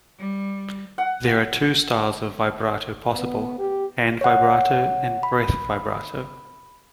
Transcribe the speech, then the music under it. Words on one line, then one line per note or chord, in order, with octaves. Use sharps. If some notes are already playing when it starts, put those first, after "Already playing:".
There are two styles of vibrato possible, hand vibrato and breath vibrato.
G3
F#5
B3
G4
C#5 F#5
B5